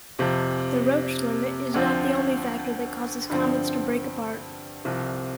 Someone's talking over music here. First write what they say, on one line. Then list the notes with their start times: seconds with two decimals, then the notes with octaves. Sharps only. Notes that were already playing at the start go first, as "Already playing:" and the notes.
The Roche limit is not the only factor that causes comets to break apart.
0.19 F2 C3 F3
1.74 D2 D3 F3 C4
3.30 G2 D3 F3 C4
4.85 C2 C3 F3